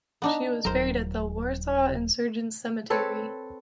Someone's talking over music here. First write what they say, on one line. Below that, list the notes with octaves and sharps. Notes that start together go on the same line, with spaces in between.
She was buried at the Warsaw Insurgents Cemetery.
B3 D4 D#4
D#1 C2 F#3 A#4 C5
C4 A4 B4 C#5